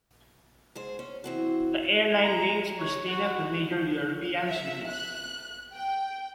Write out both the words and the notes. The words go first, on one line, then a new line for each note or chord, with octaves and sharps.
The airline links Pristina to major European cities.
G#2 G#4 C5
C#4
E3 C4 F#4
A#5
C#5
F#4
E5
F#6
G5